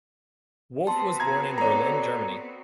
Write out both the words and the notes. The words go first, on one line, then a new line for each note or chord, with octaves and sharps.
Wolff was born in Berlin, Germany.
B3 C4 F#4 A5 C6
A#5 G#6
A4 C#5 D5 A#5